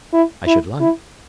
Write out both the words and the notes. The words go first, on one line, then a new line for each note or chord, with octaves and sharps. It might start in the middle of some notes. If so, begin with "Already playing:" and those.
"I should like."
E4
E4
E4